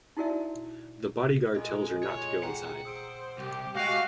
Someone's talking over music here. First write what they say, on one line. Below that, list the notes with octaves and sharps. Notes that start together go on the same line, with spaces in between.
The bodyguard tells her not to go inside.
D#4 E4 F#4 A#4 D5 E5
G#3 F4 A4 D#5
C#5
G#4 F#5 G5 A#5
C5 D#6 E6 D7
C2 G4
G#3 F#4 D#5 F5 F#5 G#5